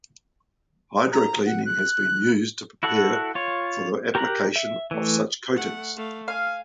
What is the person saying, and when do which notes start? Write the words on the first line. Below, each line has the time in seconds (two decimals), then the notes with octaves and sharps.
Hydrocleaning has been used to prepare for the application of such coatings.
1.12 A#5
1.46 F#5
1.65 F#6
2.83 E4 F#4 A4 F#5
3.35 F4 C#5
4.15 G4 A#4 A#5 C#6 F#6
4.56 E5
4.91 E3 A3
5.56 A3 F#5
5.97 A3 F5
6.28 F5 G#5